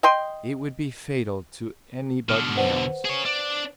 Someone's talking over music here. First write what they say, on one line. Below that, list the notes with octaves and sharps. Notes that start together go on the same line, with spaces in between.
It would be fatal to any but males.
D#5 G5 C6
B2 D3 F6
B4 C5 F#5
G#4 C#5
D4